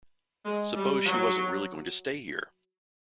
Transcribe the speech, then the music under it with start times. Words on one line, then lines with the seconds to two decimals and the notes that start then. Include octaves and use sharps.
Suppose she wasn’t really going to stay here!
0.45 G#3
0.75 G3
1.05 F#3